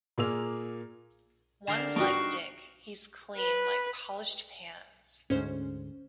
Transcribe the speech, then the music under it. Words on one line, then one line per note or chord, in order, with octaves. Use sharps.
One's like Dick: he's clean like polished pans.
A#2 A#3 G#4 E6 F7
D3 G4 A#4 F6 C7 E7
G2 D#4 F#4 D#5 B5 C#6 D7
B4
D2 G#2 C#4 C5